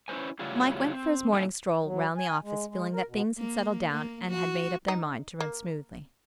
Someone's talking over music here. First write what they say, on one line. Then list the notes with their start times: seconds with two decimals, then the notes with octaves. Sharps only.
Mike went for his morning stroll round the office feeling that things had settled down and had made up their mind to run smoothly.
0.08 C#4 E4 B4 C5 G#5
0.39 A2 C#3 F#3 G3 F4 G#4
0.93 C4
1.32 F#2 A#2 D#4 A4 G#5
1.84 F#3
2.17 G#5
2.43 G#3
2.69 G#3
2.94 A#4
3.09 B2
3.38 A#3
3.91 A#3
4.29 F#4
4.88 D#4
5.40 A#3